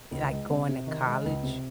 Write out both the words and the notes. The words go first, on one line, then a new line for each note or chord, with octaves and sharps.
like, going to college,
C#2
G#3
C3
C3
D#3
G#3
C#2
C3